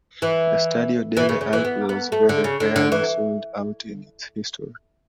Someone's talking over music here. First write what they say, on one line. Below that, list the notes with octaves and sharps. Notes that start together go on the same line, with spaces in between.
The Stadio delle Alpi was very rarely sold out in its history.
E3
E3
C#3
C#3
E3
B3
B3
A3
D3
C#3
D3
D3
E3